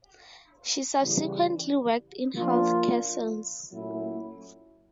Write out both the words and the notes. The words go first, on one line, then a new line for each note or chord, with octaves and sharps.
She subsequently worked in health care sales.
C#3 E3 G3
F3 A#3 D4 F4
A#2 F#3 A3 C#4 E4